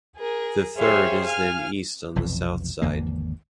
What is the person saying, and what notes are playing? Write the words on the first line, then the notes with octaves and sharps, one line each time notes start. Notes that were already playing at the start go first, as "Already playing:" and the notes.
The third is then east on the south side.
G#4 A#4
G4 G#4 C5 C#5 E5 F5
F5 G#5 F6
F1 B1 F2 E3
G#1 E2 D3 A#3